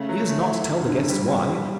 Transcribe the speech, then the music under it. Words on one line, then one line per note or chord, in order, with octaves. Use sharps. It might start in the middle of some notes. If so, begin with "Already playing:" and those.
He does not tell the guests why.
Already playing: C#3 A3
F#3
A3
E4
F#1
D3
G3
G3
G3